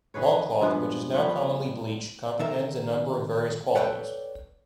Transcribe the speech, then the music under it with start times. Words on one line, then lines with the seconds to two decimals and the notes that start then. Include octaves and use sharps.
Longcloth, which is now commonly bleached, comprehends a number of various qualities.
0.14 D#3 G#4 B4 C#5
0.61 G2 F3 G#3 B3
1.14 F3 G3 B4 C#5
2.39 D#3 D#4 A4 A#4 E5
3.75 A4 B4 C#5 D5 F#5 G5